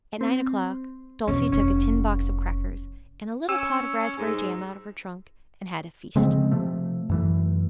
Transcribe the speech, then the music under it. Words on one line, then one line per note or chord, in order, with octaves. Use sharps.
At nine o'clock Dulcie took a tin box of crackers and a little pot of raspberry jam out of her trunk, and had a feast.
C4
E2 B2 C#4
F1 C#4
C#4 E6
G#2
C#3 F3 G#3 C4
C3 F3 A3
F#2 E3 A3